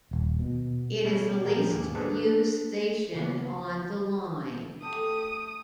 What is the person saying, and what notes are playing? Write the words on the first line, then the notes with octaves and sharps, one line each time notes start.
It is the least used station on the line.
D#1
B2
B2 G3 A3 C#4
A#2 F3 G3 G4 A#4
D#2 G#2 B2 A#3
A#3 D4 G#4 A4 B4 C5
C#3 A#3 B3
A3 G4 G5 D#6